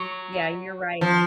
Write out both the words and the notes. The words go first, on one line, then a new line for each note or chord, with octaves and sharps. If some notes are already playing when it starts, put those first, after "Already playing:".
yeah, you're right.
Already playing: F#3
F3